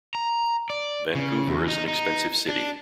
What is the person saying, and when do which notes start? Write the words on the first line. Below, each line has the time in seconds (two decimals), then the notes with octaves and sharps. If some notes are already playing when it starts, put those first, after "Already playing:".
Vancouver is an expensive city.
0.15 A#5
0.70 D5
1.15 C#3
1.48 E2
1.68 D#4
1.88 D#4
2.49 D4